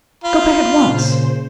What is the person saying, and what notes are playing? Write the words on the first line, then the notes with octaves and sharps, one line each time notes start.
Go back at once!
F4 B5
A#2 C#3 C5